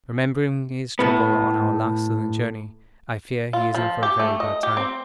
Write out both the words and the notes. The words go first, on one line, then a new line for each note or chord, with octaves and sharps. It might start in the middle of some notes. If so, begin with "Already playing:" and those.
Remembering his trouble on our last Southern journey, I fear he is in for a very bad time.
A2 B3
F4
F3
G4
A3
D#5
G4
C4